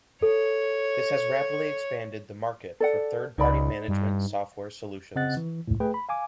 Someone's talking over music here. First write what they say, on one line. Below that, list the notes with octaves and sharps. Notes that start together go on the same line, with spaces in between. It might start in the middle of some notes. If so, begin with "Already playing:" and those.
This has rapidly expanded the market for third-party management software solutions.
A4 C#5
A4 D5 F#5
C#2 D#4 D5 B5
G2
C#3 C4 D#5 F#5 F#6 A6
E3
C#2 A2
A3 G#4 B4 G5
B5
F5 G#5 D6